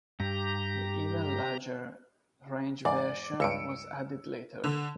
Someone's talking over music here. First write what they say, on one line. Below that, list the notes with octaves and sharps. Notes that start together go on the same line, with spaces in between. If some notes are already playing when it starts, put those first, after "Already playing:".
The even larger Range version was added later.
G2 G4 A#5
E2 G#2 D5
C#2 G2 E6 C#7 D7
D3